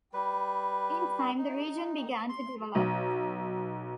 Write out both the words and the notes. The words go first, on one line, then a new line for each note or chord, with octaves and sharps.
In time, the region began to develop.
G3 B4
D#4
C6
B1